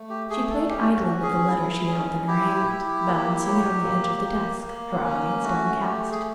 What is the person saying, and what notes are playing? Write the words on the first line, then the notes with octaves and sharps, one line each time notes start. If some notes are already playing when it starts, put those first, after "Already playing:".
She played idly with the letter she held in her hand, balancing it on the edge of the desk, her eyes downcast.
Already playing: A3
G4
A3 G#4
A4
C#4 G4
F#4
C#4
G#4
E4
C#4
E4 G4
E4
A#3
F#3
A#3
A#3
A#3
C#4
A3 F#4
A3 G4
G#4